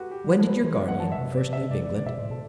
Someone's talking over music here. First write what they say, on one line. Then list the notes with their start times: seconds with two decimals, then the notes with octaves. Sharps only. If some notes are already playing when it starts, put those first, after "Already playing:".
"When did your guardian first leave England?"
Already playing: F#4 G4 A4 B4
0.11 G4
0.24 G3
0.29 F#3 B4
0.39 A4
0.47 F#3 B4
0.64 E3 C5
0.76 F#3 D5
0.88 F#3 F#5
1.00 E3 A5
1.12 E5
1.18 C3
1.36 D5
1.53 E5
1.71 D5
1.83 D5
1.95 D5
2.06 B2 E5
2.18 A2 C5
2.30 B2 A4